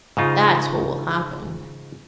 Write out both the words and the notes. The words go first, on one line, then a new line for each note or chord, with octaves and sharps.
That's what will happen.
G#2 C#3 D#4 F4